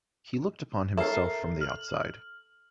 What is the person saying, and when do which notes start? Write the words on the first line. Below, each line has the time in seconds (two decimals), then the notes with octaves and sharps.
He looked upon himself from the outside.
0.97 A4 A#4 E5 C7
1.61 F6 F#7